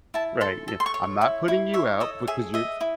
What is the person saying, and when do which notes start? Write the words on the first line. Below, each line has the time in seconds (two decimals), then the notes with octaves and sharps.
Right, yeah, "I'm not putting you out because you're"
0.14 E4 A5
0.41 A4 C6
0.68 A4
0.80 C6
0.86 C#6
0.94 C#5
1.21 E4
1.48 E4
1.74 C#5 E5
2.00 A4 D#5
2.28 G#4 E5
2.54 D#5 E5
2.81 E4